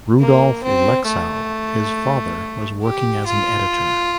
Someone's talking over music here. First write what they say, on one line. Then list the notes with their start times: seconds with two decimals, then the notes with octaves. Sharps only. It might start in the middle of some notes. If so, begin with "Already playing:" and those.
Rudolph Lexow, his father was working as an editor.
0.20 A#3
0.63 C4
1.07 A3
2.83 G4
3.27 F4